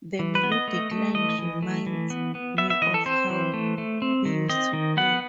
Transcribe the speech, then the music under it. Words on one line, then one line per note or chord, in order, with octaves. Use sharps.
The melodic line reminds me of how he used to play.
E3
B4
B3
D#5
A3
A3
E3 D#5
E3
A3
E3
B3
B3
B3 E5
E5
E3 D#5
A4
C4 C5
E3
A3
A3
C4
D#3
C4 D#5
D#3
B3 F#5